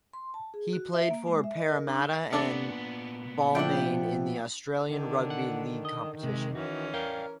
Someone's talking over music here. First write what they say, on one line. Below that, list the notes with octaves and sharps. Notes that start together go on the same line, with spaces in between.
He played for Parramatta and Balmain in the Australian Rugby League competition.
C6
A5
G#4
F#4
E5
A#3
G#3
E5
D#5
A#4
D4
A#2 B3 D4 A4 D6
F3 A3 D4 E4 F#5 G5
D3 D#3
F#5
D#5
C3 G#3
E3 C#4 F#4
A#4 D5 F5 G5